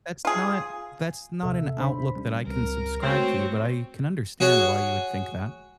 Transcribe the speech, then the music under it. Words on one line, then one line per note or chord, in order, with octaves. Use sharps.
that's not that's not an outlook that I can subscribe to, but I can understand why you would think that.
F4 G#4
D#1 C3 A4 E5
D4 C5 B5
G3 C#4
C#2 A#3 C4 A#4
G#3 A3 C4 F#4 C#5
F#4 G#4 C#5 F#5